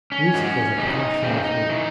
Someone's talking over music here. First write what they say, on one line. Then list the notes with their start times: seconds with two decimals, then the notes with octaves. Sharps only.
Music was a passion with me.
0.12 C#4
0.34 G#2 F#3
0.78 E2 C3 F#3 D#4
1.22 E2 C#3 C4
1.44 D#4
1.70 E3